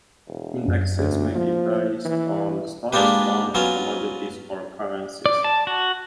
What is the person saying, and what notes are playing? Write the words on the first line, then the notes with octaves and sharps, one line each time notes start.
Indexes may be based on stocks, bonds, commodities, or currencies.
E1
F#2 C#4
D2
F3 A#3
E3
G#3 A#3 D4 F4 G4 B4
F#3 B3 C#4 F4
D5
A5
F#4